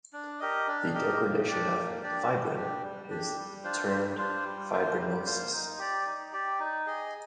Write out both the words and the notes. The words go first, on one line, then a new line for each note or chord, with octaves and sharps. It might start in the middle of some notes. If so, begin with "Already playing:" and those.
The degradation of fibrin is termed fibrinolysis.
D4
G4 A#4 D#5
D4
G4 A#4 D#5
A#3
D4 G4 D5
A#3
D4 G4 D5
G3
D4 G4
G3
D4 G4
G3
D4 F4 C5
G3
D4 F4 C5
G3
A#3 F4 C5
G3
A#3 F4 C5
D#4
G4 D5
D#4
G4 D5
D#4
G#4 D#5